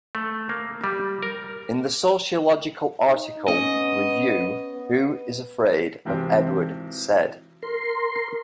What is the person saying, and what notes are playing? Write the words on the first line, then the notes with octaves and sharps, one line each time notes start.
In the sociological article, Review: Who is Afraid of Edward Said?
A3
A#3
G3
A#4
D#4
B3 C#4 D#5
B3
G#1 C3 E3 C4
A#4 C6